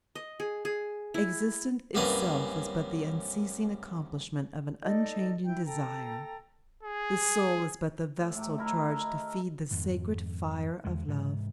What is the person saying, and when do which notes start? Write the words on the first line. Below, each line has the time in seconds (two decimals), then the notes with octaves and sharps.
Existence itself is but the unceasing accomplishment of an unchanging desire; the soul is but the vestal charged to feed the sacred fire of love.
0.15 D#5
0.40 G#4
0.65 G#4
1.14 E4
1.95 C2 F#2 A#3 C#4 B4 G#5
4.82 D#4 A4 D5 D#5
5.46 E4 G5 G6
5.64 A4 G5 A#5
6.83 G#4
8.19 A2
8.36 A2 F#3 A3 G4
8.58 A3 E4 F#4 A#4
8.89 A3 E4 A#4 D#5
9.71 F2 G#2 D#3
10.85 E2 D3 G#3
11.08 G#2 C3 E3